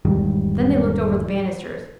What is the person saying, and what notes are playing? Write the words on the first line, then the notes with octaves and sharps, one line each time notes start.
Then they looked over the banisters.
E1 G#2 D#3 G3